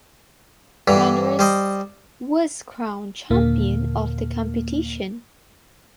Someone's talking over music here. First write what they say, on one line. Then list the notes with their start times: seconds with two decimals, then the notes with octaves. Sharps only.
Wanderers was crowned champion of the competition.
0.88 G2 D3 E3
1.39 G3 C5 D#5
3.30 D#2 A#2 D3 A#3